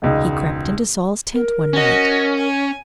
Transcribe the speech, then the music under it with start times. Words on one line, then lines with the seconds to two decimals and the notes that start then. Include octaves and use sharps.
He crept into Saul's tent one night.
0.02 E1 C#2 D#4
1.34 A#4
1.73 C#4 F#4 D#5
2.37 G#5